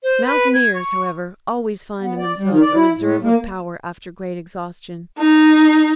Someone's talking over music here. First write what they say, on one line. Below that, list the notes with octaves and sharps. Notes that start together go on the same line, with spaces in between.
Mountaineers, however, always find in themselves a reserve of power after great exhaustion.
C5
B4
G#6
C#6
B3
D5
G3
D#3
D5
E4
A2
A#3
D#4